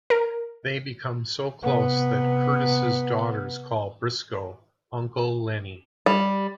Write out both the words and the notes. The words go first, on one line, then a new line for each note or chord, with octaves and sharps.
They become so close that Curtis' daughters call Briscoe "Uncle Lenny".
A#4
C3 B3
G3